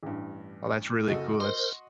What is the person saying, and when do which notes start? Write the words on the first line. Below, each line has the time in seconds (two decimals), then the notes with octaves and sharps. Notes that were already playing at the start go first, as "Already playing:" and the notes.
Well, that's really cool. That's
0.03 A1 G2
1.09 F#1 F#4 A4 D#5
1.40 A#4 C5 C6